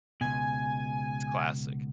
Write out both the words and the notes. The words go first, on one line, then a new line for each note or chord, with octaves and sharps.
It's classic.
C#2 B2 G#5